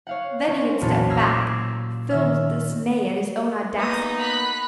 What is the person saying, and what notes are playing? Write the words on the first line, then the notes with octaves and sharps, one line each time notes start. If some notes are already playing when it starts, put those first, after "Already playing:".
Then he had stepped back, filled with dismay at his own audacity.
C#5 F5 F#5
C4 C#4
B1 E2 A#2 F#4 C#5 A5
A#5 E6 F6 G#6 C7
D6 E6 G#6 C7
D#3 E5 F6
A#3 B3 D#4 D#6 A#6
B5 F#6 B6